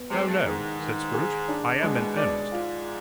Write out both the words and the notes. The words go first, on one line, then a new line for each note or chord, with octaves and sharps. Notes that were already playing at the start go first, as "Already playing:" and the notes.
'No, no,' said Scrooge. 'I am in earnest.
Already playing: B3
C3 G#3
G2
G#2 D#3
D#3
G#4
D4
B2 G#3
D5
G#2 F4